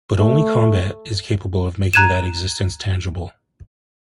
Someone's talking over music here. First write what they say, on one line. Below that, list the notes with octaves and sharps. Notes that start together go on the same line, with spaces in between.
But only combat is capable of making that existence tangible.
A3
A#5 F#6 G#6 D#7 E7